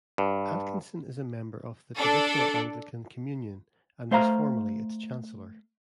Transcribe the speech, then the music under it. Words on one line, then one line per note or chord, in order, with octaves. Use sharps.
Atkinson is a member of the Traditional Anglican Communion, and was formerly its chancellor.
G2
D4 A4
A3 C5 F5 A#5